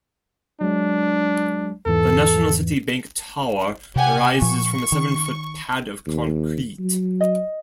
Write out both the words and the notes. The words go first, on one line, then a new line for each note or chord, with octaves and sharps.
The National City Bank Tower rises from a seven foot pad of concrete.
F#3 G#3 D4
E2 G#2 E3 A4
C3 G4 F#5 G#5
A#2 F3 C#6
D#3
D#2
F#3
D#5